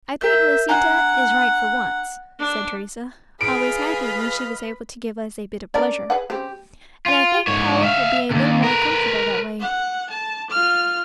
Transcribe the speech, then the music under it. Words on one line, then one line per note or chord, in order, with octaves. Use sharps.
"I think Lisita is right for once," said Teresa, always happy when she was able to give us a bit of pleasure; "and I think Paula will be a little more comfortable that way."
A#4 E5 G6
D4 F#5 G#5 A#5
D4
F4 G#4 B4 D#5 F5 B5 D7
C#4 D4 A#4 D5
G#4 B4 F#5
C#3 C4 G4
F4
G#2 C#5
E5 F5
D#2 C3
A#4 B4
F#5
A5
F4 F6